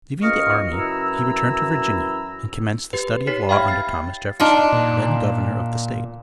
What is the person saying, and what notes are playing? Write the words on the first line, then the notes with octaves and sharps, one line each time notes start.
Leaving the army, he returned to Virginia and commenced the study of law under Thomas Jefferson, then Governor of the State.
C#2 A#3 D#5 C#6 D#6 F6
F#2 E3 E4 A#5 E6
G4 B4
D#4 G4 C#5 B6 C7
E5 F5 G5 B5 F6 G#6
A6 C7
D4 D#4 F4
A#2